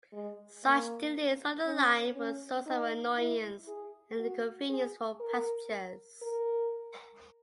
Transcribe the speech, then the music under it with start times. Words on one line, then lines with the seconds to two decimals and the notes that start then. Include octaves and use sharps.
Such delays on the line were a source of annoyance and inconvenience for passengers.
0.13 G#3
0.64 A#3
1.65 C#4
2.15 C#4
2.66 D#4
3.18 E4
3.68 G#4
4.19 F#4
4.69 G#4
5.20 A#4
6.22 A#4